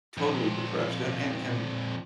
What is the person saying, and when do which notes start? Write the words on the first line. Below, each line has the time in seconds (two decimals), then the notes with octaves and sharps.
totally depressed, and and and
0.17 F2 A#2